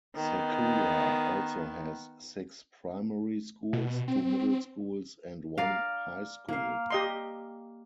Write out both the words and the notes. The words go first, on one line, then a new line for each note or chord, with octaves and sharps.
Sakura also has six primary schools, two middle schools and one high school.
D#3 B3
B2
C4
A#4 D5 F5
A#3 F5
G4 D#5 C6